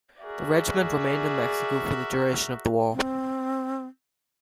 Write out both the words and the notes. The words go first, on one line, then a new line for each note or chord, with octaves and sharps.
The regiment remained in Mexico for the duration of the war.
F#4 G#4 A#4 D5 E5
C4